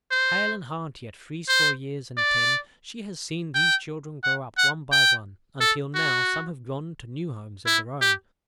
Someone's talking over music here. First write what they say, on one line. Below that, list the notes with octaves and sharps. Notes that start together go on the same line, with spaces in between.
Hale and hearty at three-score years and ten, she has seen these children grow up one by one, until now some have gone to new homes of their own.
C5
C5
D5
G5
F#5
F#5
G5
A4
F#4
E4
G4